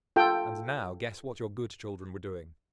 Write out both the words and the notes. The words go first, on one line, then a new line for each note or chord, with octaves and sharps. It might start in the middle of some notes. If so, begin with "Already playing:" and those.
And now, guess what your good children were doing?
F4 A4 G5